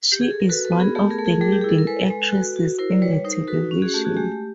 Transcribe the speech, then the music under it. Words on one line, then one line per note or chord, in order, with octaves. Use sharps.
She is one of the leading actresses in the television.
G4
G#4
A4
A#4
F#4 A4 B4
A4 B4
B3
G#4 A#4
A3 G4 A4
G#4 A#4
A3 A4
G#4 A#4
G3 G#4 A#4
G4
E4 G#4
A4
A#4
G#3 A4 B4
G#3
F#4
F#4
E4 A#4 C5
D5
G3 B4 C#5
D#4 A#4 C5
F#4 A4 B4
C#4
F#4 G#4
A3 G4 A4
F#4 G#4
G#3 G4
G4